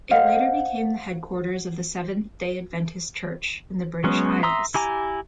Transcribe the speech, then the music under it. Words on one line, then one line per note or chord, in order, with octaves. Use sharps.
It later became the headquarters of the Seventh-day Adventist Church in the British Isles.
C5 D#5 F5 F#5
F#3 G#3 B3 C#4
E5 A#5 C6 D#6 E6
E4 G4 G#5 A#5 D6